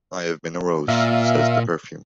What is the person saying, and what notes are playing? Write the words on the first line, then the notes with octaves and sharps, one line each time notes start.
I have been a rose, says the perfume.
A#2 E5 F5